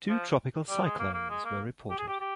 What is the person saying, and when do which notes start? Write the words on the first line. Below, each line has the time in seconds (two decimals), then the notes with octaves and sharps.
Two tropical cyclones were reported.
0.09 F3
0.69 G3
0.84 G#3
0.99 A#3
1.14 A#3
1.30 G#3
1.45 A#3
1.90 G4
1.98 G#4
2.07 G4
2.20 G4